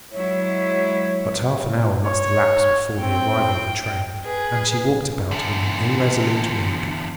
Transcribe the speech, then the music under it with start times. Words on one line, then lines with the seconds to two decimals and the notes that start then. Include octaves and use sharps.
But half an hour must elapse before the arrival of a train, and she walked about in an irresolute mood.
0.12 F#3 G#3 E4 C#5
2.05 C#5
3.01 C4 G5
4.25 G#4 B4
5.31 E2 D3